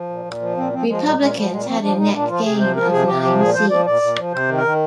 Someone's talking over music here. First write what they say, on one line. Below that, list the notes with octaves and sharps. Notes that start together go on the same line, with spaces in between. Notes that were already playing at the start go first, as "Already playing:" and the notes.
Republicans had a net gain of nine seats.
Already playing: F3
A#2
A#2
F3
A#2 C4
F3 C4
F3 G#3
A#2 G3
A#2 G#3
F3 G3
A#2 G#3
F3 C4
F3 D4
A#2 D#4
A#2 D4
F3 F4
C3 G#4
F3 C5
F3 A#4
C3 G#4
C3 G4
F3 G4
A#2 G#4
F3 C5
F3 D5
A#2 D5
A#2
F3
C3 C5
D#3
A#4
D#3